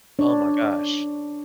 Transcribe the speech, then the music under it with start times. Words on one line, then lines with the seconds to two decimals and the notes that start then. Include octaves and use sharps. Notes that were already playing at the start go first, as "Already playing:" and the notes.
Oh my gosh.
0.19 D4 C#5